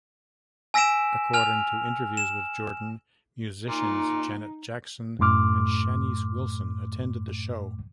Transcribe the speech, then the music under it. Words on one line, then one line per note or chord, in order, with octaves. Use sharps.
According to interviews with Jordan, musicians Janet Jackson and Shanice Wilson attended the show.
G#5 E6 A#6 B6 D7 E7
G#5 F6 F7
E7
A#2 D#4
F#2 A2 A3 C6 D6 F6